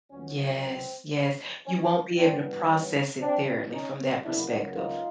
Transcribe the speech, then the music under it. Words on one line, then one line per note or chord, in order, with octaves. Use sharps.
Yes, yes, you won't be able to process it thoroughly from that perspective,
C#2 C#3 F#3 C#4
C4
C#4
G2 E3 G3 B3 C4 D4
C#4
C4 D4
C#4 D#4
C#2 C#3 F#3 A#3 D4 E4
D#4 F4